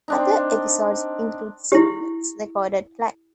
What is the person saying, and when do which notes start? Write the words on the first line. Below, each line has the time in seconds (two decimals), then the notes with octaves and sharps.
Other episodes include segments recorded live.
0.08 C4 D4 D#4
1.72 E4 G4